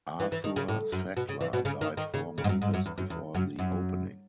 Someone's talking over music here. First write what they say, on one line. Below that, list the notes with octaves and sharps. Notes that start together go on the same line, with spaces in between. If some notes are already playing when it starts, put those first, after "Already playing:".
Arthur Sackler died four months before the opening.
E3
E3
D#3
C#3
A2
F#2
B2
C#3
E3
B2
C#3
D#3
D#3
C#3
C#3
G#2
F#2
G#2
F#2
E2
F#2
E2
F#2
F#2